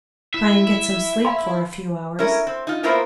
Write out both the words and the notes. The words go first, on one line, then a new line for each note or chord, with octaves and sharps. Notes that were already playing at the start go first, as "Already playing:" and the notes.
Try and get some sleep for a few hours.
E4 E5
F5 B5 C6
C#4 E4 A#4
C4
D#4 F4
A#3 B3 E4 F4 A#4 C5